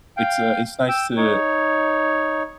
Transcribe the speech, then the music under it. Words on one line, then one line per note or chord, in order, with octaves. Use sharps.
It's, uh, it's nice to
F5 G5
G5 E6
D#4 C#5